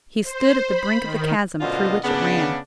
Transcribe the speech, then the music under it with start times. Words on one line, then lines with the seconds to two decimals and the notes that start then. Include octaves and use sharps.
He stood at the brink of the chasm through which it ran.
0.23 C5
0.68 B5
1.00 D#3
1.60 F#2 B2 D3 F4 C5 D#5
2.04 C#3 B3 D4